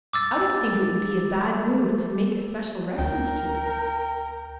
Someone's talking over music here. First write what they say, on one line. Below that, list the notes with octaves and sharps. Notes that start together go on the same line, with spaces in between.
I don't think it would be a bad move to make a special reference to it.
D6 E6 A6
D2 A#4 G5